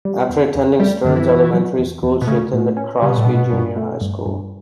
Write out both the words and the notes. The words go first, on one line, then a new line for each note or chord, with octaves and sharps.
After attending Stearns Elementary School, she attended Crosby Junior High School.
G3
E2
E2
G3 A3
F#2 D3
E3
E4
F#3
E2
E2
B2
C#3 A3
A2
C#4
C#3 G3
B2
A2
G2 B2
G2
A3
G2
G2